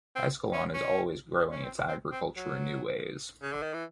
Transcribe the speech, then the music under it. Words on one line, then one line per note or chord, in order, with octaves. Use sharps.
Escalon is always growing its agriculture in new ways.
C4
C#4
C#4
C#4
C4
C4
C4
F#3
C#3
D3
D#3
E3